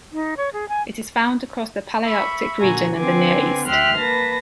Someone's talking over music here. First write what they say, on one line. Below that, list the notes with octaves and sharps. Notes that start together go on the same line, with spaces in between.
It is found across the Palearctic region and the Near East.
D#4
C#5
G#4
G#5
E5 B5 C#6
A#2 D3 F#4 G#5 A#5
D3 C4 B4 G#5 D6
D2 E5 G5 C6 F6 F#6
A#3 B4 A5 A#6